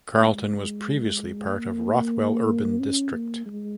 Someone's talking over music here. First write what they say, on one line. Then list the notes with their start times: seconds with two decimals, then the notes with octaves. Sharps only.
Carlton was previously part of Rothwell Urban District.
0.17 G#3
1.48 A#3
2.80 C#4
3.13 A#3
3.46 G#3